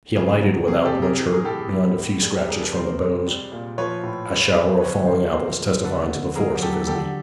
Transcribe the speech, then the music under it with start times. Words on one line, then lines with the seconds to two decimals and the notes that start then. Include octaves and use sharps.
He alighted without much hurt beyond a few scratches from the boughs, a shower of falling apples testifying to the force of his leap.
0.16 C#3 G#4
0.42 F#3
0.68 C3 G#4
0.85 G4 A4
0.94 C3
1.02 G#4 A#4
1.19 E3
1.32 G#4 A#4
1.45 A2 G4 A4
1.58 G#4
1.71 F#3 G4
1.97 A2
2.23 G3 G#4
2.36 G4 A4
2.49 G3 G#4 A#4
2.61 A4 B4
2.74 C3 A#4 C5
3.00 G#3
3.26 G3
3.52 A#2
3.78 F3 B4 C#5
4.03 A2
4.29 G#3
4.56 G#3
4.81 D3 B4 C#5
5.07 F3 A#4 C5
5.32 B2 A#4 C5
5.59 G#3
5.84 D3 A4 B4
6.10 D3
6.35 F#3 G#4 A#4
6.62 F#3 G4 A4
6.87 D3 G4 A4